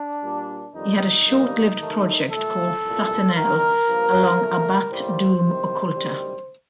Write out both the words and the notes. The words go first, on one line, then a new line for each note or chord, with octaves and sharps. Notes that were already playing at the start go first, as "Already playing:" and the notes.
He had a short lived project called Satanel, along Abbath Doom Occulta.
Already playing: D4
A#2 G3 A#3
F2 D#3 G3 D#4
G2 D#3 G3 A#3
D#2 D#3 A3
A#2 A3 A4
C2 A#2 A3
G2 D#3 A#3 A#4
G2 F3 A#3
A#2 A3
A2 G3 A#3 C5
C2 C3 D#3
D2 C3 D#3 G3